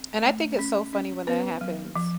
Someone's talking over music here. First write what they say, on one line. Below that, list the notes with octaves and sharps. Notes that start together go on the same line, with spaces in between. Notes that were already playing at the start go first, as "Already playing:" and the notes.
And I think it's so funny when that happens.
Already playing: C4
A3
C#4
C#4
B3 B4
F#3
F3